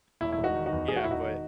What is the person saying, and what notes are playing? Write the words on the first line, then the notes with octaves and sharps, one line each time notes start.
Um, yeah, but
E1 E4
E4
E1
D#4 F#4
D#3
D#4 F#4
E2
E1 G#4
F#4
E1 E4
D#4 F#4
D#3